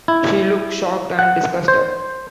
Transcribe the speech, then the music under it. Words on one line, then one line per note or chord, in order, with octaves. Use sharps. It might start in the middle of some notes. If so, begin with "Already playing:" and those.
She looks shocked and disgusted.
E4
F#5
C5